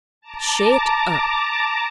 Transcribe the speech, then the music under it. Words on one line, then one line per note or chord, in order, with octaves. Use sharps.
"Shet up!"
A5 A#5 D6